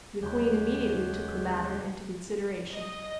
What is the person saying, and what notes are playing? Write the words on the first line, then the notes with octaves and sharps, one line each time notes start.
The queen immediately took the matter into consideration.
D#2 C#3 F#3 G#3 G4
D#5